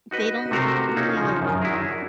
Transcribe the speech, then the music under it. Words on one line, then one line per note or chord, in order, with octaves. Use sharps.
they don't really like
D#4 F#4 B4 D#5
C3 A3 F#4 A#4 C5
C#4 D#4 F4 F#4 G#4 A4
C#3 F3
F#2 D#3
D4 E4 F#4 G#4 A#4